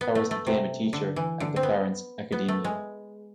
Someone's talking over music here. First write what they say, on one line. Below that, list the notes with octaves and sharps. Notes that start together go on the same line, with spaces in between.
Powers became a teacher at the Florence Accademia.
B3
A3
A3
C3
D3
E3
D3
C4
B3
B3
A3
G#3